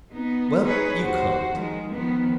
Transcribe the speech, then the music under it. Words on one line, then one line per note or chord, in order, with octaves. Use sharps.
Well, you can't.
B3 D#4
D#4 G#4 B4 C#5
D#2 F#4 C5
D#3 F3 G#3
D#3 F3 B3